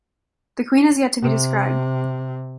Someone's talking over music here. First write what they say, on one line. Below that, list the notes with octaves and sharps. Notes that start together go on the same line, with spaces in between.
The queen has yet to be described.
C3